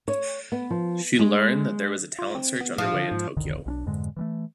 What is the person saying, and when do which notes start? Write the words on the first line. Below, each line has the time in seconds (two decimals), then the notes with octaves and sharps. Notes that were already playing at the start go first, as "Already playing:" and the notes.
She learned that there was a talent search underway in Tokyo.
0.08 C#5
0.52 B3
0.70 F3
1.19 G#3
2.19 F4
2.35 C4
2.61 B3
2.78 A2 F3
2.94 D3
3.12 G#2
3.37 F1 C2 D3 D#3
3.66 B1 C#4 D4
3.86 F2 G#2 D3 G#3
4.17 E3 G3 A3